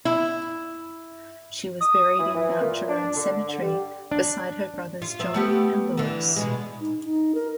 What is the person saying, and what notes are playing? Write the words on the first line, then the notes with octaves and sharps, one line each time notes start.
She was buried in Mount Jerome Cemetery beside her brothers John and Louis.
E4
D#6
E3
E3
A#2
D4
D3
D3
G3
D4
F4
F3 C5 E5
A3 B3 G4
D3 E3
B2 G#3
D#4
D#4
A#4